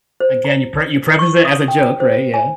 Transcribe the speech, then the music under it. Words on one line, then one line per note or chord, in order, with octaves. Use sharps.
Again, you pre you preface it as a joke, right? Yeah.
C5
A#5
C#6
D#6
G5
C5
G#5